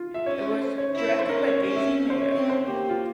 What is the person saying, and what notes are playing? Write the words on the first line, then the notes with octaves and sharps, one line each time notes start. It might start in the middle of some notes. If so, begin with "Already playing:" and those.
It was directed by Daisy Mayer.
Already playing: F4
E5
C#4 C#5
C#5
C5
C#5
E4 E5
C#5
C5
C#4 A#4
C#5
C#4 C#5
E5
C5
C#5
C4 C#5
C5
A#3 G4
F4